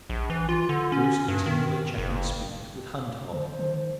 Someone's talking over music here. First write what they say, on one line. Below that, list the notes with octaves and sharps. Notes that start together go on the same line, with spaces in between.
Bruce continually checking speed with hand log.
A#1
E3
F4
D3
C#4
G2
D#3
F#1
D3 C5
D#3